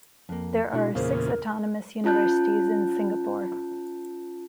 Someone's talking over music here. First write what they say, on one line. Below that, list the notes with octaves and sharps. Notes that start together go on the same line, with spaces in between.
There are six autonomous universities in Singapore.
F2 A#3
B2 D4 E4 F#4
E2 A#2 C#3 G#4 A#4 C5 F5
C#4 F4 A5 F#6 G6